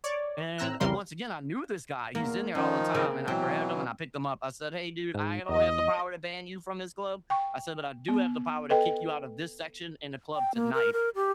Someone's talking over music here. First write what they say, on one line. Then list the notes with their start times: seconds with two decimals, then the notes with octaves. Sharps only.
And, uh, once again, I knew this guy. He's in there all the time, and I grabbed him, and I picked him up. I said, "Hey, dude, I don't have the power to ban you from this club." I said, "But I do have the power to kick you out of this section in the club tonight."
0.04 C#5 D5
0.58 A2 C4 A#5 E6 F#6
0.80 C2 F2 C#3 G3 A#4 C6
2.15 E2 A#3
2.55 D#3 F3 C#4 D#4
2.95 C#3 A#3 C4
3.28 B2 E3 F#3 C4
5.15 G#2
5.49 E2 D#5
7.30 G5 C#6
8.08 B3
8.70 A4 B4 D#5 G5
10.35 G5
10.55 A#3
10.74 A#4
10.93 A#4
11.15 G4